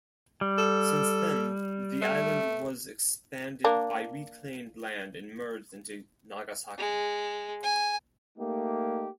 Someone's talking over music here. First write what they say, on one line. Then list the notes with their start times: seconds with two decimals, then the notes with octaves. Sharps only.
Since then, the island was expanded by reclaimed land and merged into Nagasaki.
0.41 G3
0.58 A4
2.02 A3
3.64 A#3 D4
6.78 G#3
7.63 G#5
8.38 A3 A#3 D#4 G4